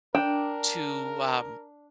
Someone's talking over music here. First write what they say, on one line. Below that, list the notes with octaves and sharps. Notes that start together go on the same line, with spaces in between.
to, uh,
D4 A#4 G5